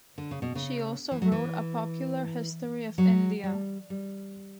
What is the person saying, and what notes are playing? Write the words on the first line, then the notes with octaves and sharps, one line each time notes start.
She also wrote a popular history of India.
D3
C#3
B2
C#3
E3
F#3
E3
F#3
G3
G3